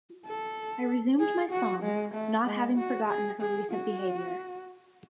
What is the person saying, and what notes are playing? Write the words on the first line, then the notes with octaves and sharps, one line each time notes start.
I resumed my song; not having forgotten her recent behaviour.
A4
G#4
F#4
G#3
A3
G#3
F#4
G#4
G#4
F#4